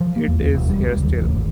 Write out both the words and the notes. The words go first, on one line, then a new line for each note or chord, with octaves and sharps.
It is here still.
F3
A#3
E2
D#2
E1
G3
C#2
D#2
A1
G#1